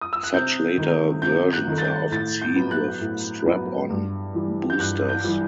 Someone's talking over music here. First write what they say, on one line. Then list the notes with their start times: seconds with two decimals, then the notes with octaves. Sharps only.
Such later versions are often seen with strap-on boosters.
0.01 D#6
0.13 E6
0.23 F#6
0.33 C3 G6
0.78 D#3 A3
1.22 C3 G6
1.53 F#6
1.68 D#3 A3
1.78 A6
1.81 G6
2.11 A2 A6
2.42 G6
2.56 F#3 B3
2.71 F#6
3.01 A2
3.46 F#3 B3
3.90 G2
4.35 E3 G3
4.70 G6
4.79 G2 F#6
5.09 G6
5.25 E3 G3